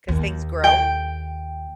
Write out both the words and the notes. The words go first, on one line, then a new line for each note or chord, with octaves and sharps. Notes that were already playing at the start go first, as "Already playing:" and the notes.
'Cause things grow?
D#2
G5